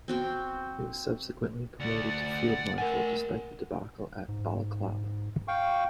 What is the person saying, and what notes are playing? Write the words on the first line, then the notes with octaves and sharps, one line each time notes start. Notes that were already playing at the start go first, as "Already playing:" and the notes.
He was subsequently promoted to field marshal despite the debacle at Balaclava.
C4 F#4 G5
D2 D5 F#5
A3 A#4 F#5 G#5
G#2
F5 G5 C#6